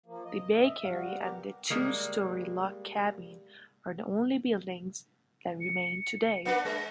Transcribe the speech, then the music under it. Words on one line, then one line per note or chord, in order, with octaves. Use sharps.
The bakery and the two-story log cabin are the only buildings that remain today.
F3 A#3
D#5
E5
G3 F#4 F5
B3 G4 A#4
G3 G#3 A#3
C#7
A#3 D4 B4 C#7
G#3 A#6